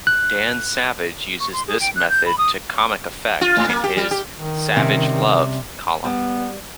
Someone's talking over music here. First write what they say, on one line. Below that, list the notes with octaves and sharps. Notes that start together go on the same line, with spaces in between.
Dan Savage uses this method to comic effect in his "Savage Love" column.
F#6
C#6
C6
G#4
G5
F#6
G6
B5
D#6
F4
G#2
A#3
G4
G3
G4
D#3
C3 G3 C#4
G3 B3